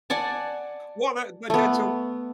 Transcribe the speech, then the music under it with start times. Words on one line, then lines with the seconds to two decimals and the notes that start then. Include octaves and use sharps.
Well, that but that's o
0.10 D5 F#5 G#5 A5
1.50 A3 B3